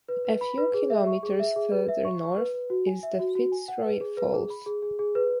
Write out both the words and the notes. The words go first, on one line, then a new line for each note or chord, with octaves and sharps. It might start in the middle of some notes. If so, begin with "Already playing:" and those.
A few kilometers further north is the Fitzroy Falls.
B4
B4
B5
B4
G#4
E5
C#6
G#4
E5
G#4
B4
E5
C#6
C#6
B4
B4
F#4
G#5
E5
F#4
F#4
G#5
F#5
B4
G#4
B4
G#4
B5
G#4
G#4
G#4
B4